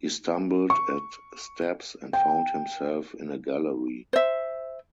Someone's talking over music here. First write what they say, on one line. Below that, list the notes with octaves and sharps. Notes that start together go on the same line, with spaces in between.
He stumbled at steps and found himself in a gallery.
C#6
G5
C5 E5